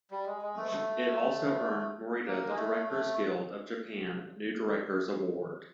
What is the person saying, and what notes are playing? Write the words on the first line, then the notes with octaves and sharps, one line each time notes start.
It also earned Morita the Directors Guild of Japan New Directors Award.
G3
G#3
G#3
A3
A3
A#3
G#3
A3
A3